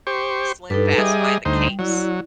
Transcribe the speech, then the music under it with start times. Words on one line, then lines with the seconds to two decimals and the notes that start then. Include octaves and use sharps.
SlimFast by the case.
0.07 G4 C5 C#6
0.70 G2 D#4 A4 B4
0.98 G3 G#4 D#5 E5
1.45 D2 G3 D#4 C5
1.79 F#3 E4 D5